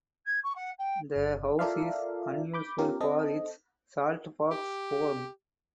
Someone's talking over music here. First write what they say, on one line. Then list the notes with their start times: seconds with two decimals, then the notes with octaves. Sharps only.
The house is unusual for its saltbox form.
0.26 G#6
0.43 C#6
0.55 F#5
0.78 G5
1.16 G1
1.59 F4 A4 A#4 D5 E5 F5
2.53 B5 D6 G6
2.78 B3 C#4 F4 G4 A#4
3.00 C4 A4 D#5
4.51 G4